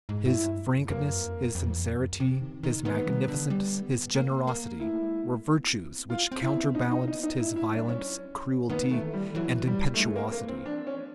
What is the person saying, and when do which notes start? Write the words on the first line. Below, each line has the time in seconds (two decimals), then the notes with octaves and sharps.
His frankness, his sincerity, his magnificence, his generosity, were virtues which counterbalanced his violence, cruelty, and impetuosity.
0.09 G#2
0.25 G2 E4
0.58 F#2
0.90 F#2 A#3
1.22 F2
1.55 F2
1.64 E2
1.73 F2
1.87 F#2
2.20 C3
2.41 D#3
2.63 D#3
2.85 D#3 B3
3.07 G3
3.28 D3
3.50 G3
3.82 B3
4.15 A#3
4.47 A#3
4.80 A3 E4
5.02 G#3
5.23 A3
5.45 B3
5.67 C4
5.88 B3
6.10 F4
6.32 C4
6.42 E4
6.53 B3
6.75 A#3 D#4
6.91 D#4
7.07 B3 D#4
7.23 D#4
7.40 A3 E4
7.56 E4
7.72 G3 D4
7.88 C#4
8.04 F#3
8.27 F3
8.48 D#3
8.69 D#3 B3
8.91 A3
9.03 E3
9.14 G3
9.35 E3 F#3
9.67 G3
9.94 A3
10.00 G#3
10.16 A#3
10.32 A#3
10.48 C4
10.65 F3 D4
10.87 C#4